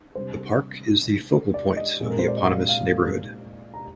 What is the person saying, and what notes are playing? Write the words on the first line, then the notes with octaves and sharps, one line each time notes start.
The park is the focal point of the eponymous neighborhood.
C3 G3 D4 C5
D5
D#5
A#2 G#3 C4
A#4
C5
D5
D#5
F5
F5
A#5